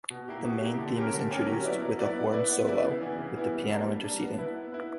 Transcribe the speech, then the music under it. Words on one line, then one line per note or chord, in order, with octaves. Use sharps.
The main theme is introduced with a horn solo, with the piano interceding.
B2
A#3 E4 G4
B2
A#3 E4 G4
D3
A#3 C#4 G4 A#4
D3
A#3 C#4 G4 A#4
F#3
B3 E4 B4 D5
F#3
B3 E4 B4 D5
B3
E4 B4 D5
B3
E4 B4 D5
C#3
E3 B3 E4
C#3
E3 B3 E4
G3
A#3 D4
G3
A#3 D4
B3
E4 B4
B3
E4 B4